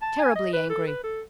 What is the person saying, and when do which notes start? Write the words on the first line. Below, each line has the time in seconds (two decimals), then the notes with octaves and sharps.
"Terribly angry."
0.02 A5
0.19 G#5
0.36 D#5
0.53 B4
0.69 A4
0.87 B4
1.03 A4